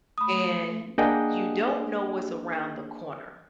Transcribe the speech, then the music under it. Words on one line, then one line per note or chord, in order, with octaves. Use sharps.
and you don't know what's around the corner,
A3 B5 D#6
A#3 D4 G#4 D#5 F#5 G5